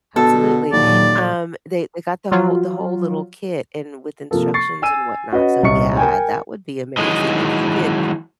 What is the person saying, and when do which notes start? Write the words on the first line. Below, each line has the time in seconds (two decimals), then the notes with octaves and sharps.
Absolutely, um, they they got the whole the whole little kit and with instructions and whatnot. So yeah, that would be amazing if you could
0.16 B2 D3 A4
0.72 D#2 A#2 F#3 D5
2.31 F3 F#3 F4
4.31 C3 F3 A#3 A4
4.54 C#6 A6 C7
4.82 G#5 E6 D#7
5.31 C#4 F#4 B4 D#5 F#5
5.62 D#1 C2 D#5 C#6 C#7
5.97 A#4 G5 G#5
6.97 D#3 E3 F#3 G#3 D#5